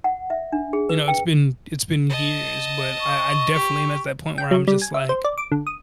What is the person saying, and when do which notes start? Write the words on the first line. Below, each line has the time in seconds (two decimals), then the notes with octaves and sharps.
You know, it's been it's been years, but I I definitely am at that point where I'm just, like,
0.04 F#5
0.30 E5
0.52 D4
0.73 G#4
0.89 B4
1.08 G5
2.10 D#5 A5
3.01 C#6
3.53 G4
4.38 G5
4.51 F#3
4.68 G3
4.82 G#5
4.94 E5
5.09 C5
5.24 D5
5.38 D6
5.52 D3
5.67 D#6